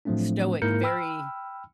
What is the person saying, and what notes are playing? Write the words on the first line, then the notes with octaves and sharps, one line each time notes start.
stoic, very,
A2 F3 F#3 A3 C4 D4
G#2 A#3 E4 A#4 G6 C#7
G5 B5 E6 F6